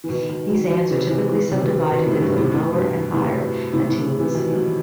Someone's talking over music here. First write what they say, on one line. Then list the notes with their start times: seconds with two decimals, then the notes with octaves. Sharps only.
These ants are typically subdivided into the "lower" and "higher" attines.
0.04 E3
0.09 B2 D#3
0.29 B2 D#3
0.49 D#3 F#3
0.70 D#3 F#3
0.91 C3 E3
1.10 C3 E3
1.31 E3
1.40 D#3
1.51 C3
1.61 B2 D#3
1.91 B2 D#3
2.06 A2 C3
2.21 G2 B2
2.37 A2 C3
2.52 A2 C3
2.72 G2 B2
3.13 A2 C3
3.73 A2 C3
3.89 A2 C3
4.19 C3 E3
4.34 B2 D#3
4.50 E3
4.54 D#3 F#3